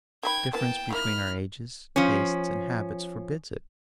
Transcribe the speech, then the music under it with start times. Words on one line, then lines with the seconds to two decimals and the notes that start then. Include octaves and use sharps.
The difference between our ages, tastes, and habits, forbids it.
0.23 D#3 G#4 G5 B5 G#6
0.53 E3 A#3 B3 G5 A5
0.90 D#3 A#3 E4 B5 F6
1.96 F3 C#4